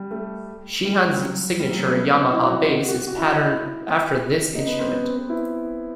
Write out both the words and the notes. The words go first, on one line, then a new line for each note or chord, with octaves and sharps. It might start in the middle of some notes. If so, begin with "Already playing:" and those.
Sheehan's signature Yamaha bass is patterned after this instrument.
Already playing: G3
A3
G3
G3
F#3
G3
F#3
G3
A3
B3
C4
D#4
E4
F#4
D#4
F#4
G4
F#4
F#4
E4
D#4
E4
D#4
B3
C4
B3
C4
B3
E4